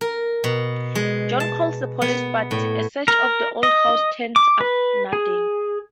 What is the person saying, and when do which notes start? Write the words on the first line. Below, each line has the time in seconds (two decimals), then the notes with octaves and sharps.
John calls the police, but a search of the old house turns up nothing.
0.01 A#4
0.44 B2
0.95 G#3
1.40 A5
2.02 B3
2.51 A2
3.08 A#4
3.63 D#5
4.36 D6
4.61 B4
5.13 G#4